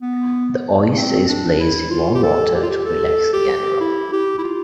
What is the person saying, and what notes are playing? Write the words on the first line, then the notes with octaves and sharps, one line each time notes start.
The oyster is placed in warm water to relax the animal.
B3
C4
D4
E4
F4
G4
A4
G4
F4
G4
A4
G4
E4
G4
E4
F4